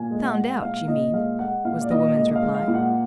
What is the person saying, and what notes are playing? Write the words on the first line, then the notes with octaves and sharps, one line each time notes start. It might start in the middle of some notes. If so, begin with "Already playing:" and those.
"Found out, you mean," was the woman's reply.
Already playing: A#2 G#5
G#3
F#5
G#3
A#2 F5
A#2 D#5
G#3 F5
G#3 F#5
A#2 F5
D5
A#2 D#5
G#3 D#5
D#5
F5
G#3
F5
A#2
F#5